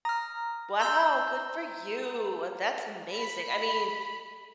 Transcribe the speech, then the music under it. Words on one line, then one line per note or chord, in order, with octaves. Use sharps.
Wow, good for you, that's amazing. I mean,
A#5 D#6 F6
C6 E6 G6
B5